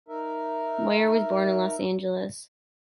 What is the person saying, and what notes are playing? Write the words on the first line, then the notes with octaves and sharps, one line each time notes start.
Moyer was born in Los Angeles.
D#4 A#4 E5